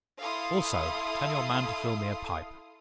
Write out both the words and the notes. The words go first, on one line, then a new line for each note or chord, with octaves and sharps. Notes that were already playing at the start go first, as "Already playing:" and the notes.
Also, tell your man to fill me a pipe.
E4 A4 F5 C6 D#6